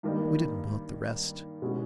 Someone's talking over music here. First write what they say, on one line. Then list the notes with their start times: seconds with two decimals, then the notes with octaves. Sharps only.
We didn't want the rest.'
0.03 G2 D#3 G3 A#3 D#4
1.61 B2 G#3 C#4 E4